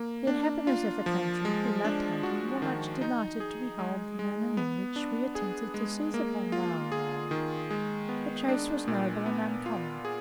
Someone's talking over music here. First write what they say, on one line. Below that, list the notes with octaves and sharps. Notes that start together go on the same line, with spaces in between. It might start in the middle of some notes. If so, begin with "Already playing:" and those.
The inhabitants of the country, who loved hunting, were much delighted to behold the manner in which we attempted to seize upon Wauwau; the chase was noble and uncommon.
Already playing: A#3
D4
F4
F3
G#3
D4
F#4
D#3
D#4
G#4
G#3
G#3
B3
D4
G#4
G#3
A#3
F4
G#4
D#3
G#3
B3
D4
A#2
B3
F4
G#4